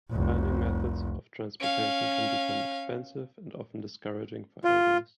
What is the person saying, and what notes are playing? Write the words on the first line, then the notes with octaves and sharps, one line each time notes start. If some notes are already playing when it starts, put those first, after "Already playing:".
Finding methods of transportation can become expensive and often discouraging for elders.
F1 C2
C#4 F5
F4